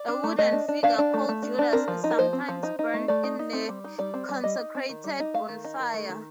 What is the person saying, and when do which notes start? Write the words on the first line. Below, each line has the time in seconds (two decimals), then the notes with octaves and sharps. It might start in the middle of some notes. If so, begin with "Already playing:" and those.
A wooden figure called Judas is sometimes burned in the consecrated bonfire.
Already playing: D5
0.08 D4
0.24 A3
0.39 A3 D#5
0.52 D4
0.68 D4
0.83 D4 F5
0.98 D4
1.14 A3
1.29 A3
1.43 D4
1.59 D4
1.73 C4 A#4
1.88 F3
2.04 D#4
2.11 A#4
2.18 F3 C5
2.33 C4
2.49 F3
2.63 D#4
2.79 D#4
2.94 A3
3.08 A3 D5
3.24 D#4
3.39 D#4
3.53 C4
3.69 G3
3.84 D#4
3.98 G3 D5
4.14 C4
4.29 G3
4.44 G3 D#5
4.59 D#4
4.75 C4
4.89 D#3
5.04 G3
5.20 D#4
5.34 A3 F5
5.49 D#3
5.65 D#4
5.80 D#3
5.94 A3
6.09 D#3